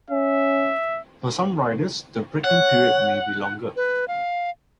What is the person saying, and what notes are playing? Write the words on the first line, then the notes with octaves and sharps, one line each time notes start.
For some riders the break-in period may be longer.
C#4 E5
C#5 F#5
B4
F5